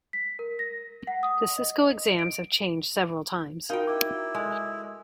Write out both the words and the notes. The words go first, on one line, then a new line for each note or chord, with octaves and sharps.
The Cisco exams have changed several times.
B6
A#4
A#6
F#5
D#6
D#5
D7
D#4 F4 F#4 A#4 F5 G5
E4 D6
G#3 A4 C6